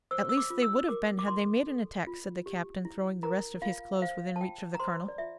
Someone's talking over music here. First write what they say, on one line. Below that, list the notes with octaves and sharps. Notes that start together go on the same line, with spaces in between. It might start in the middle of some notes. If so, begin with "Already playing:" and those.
"At least they would have been, had they made an attack," said the captain, throwing the rest of his clothes within reach of the colonel.
C5 E6
E6
D6
F4
E6
A#4 D6
D6
E4 C6
A4
F4
G4
E4
A#4 A#5
F4 F5
C5 F5
A5
F4 G5
A#5
C5 C6
D5
F4 E5